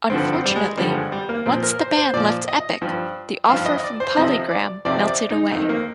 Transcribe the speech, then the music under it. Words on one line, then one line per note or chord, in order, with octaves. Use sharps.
Unfortunately, once the band left Epic, the offer from Polygram melted away.
G2 D3 F3 C4
C4
G3
G#3
G2 D3 F3 G3
G#3
G3
A#3
A#2 F3 C4
A#4
C5
C5
A#2 F3 D5
D#5
G2 F3
G2 F3 F5
D#5
D5
C5
F2 C3 F3 D#5
D5
F2 C3 F3 D5
D5
D#4
F2 D#3 D#4
A#3